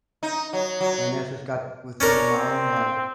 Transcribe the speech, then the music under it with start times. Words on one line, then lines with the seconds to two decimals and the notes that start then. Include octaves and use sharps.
and that's just got with me in my own life.
0.23 D#4
0.53 F#3
0.81 F#3
2.00 C#4 D4 A#4 C#5
2.34 C4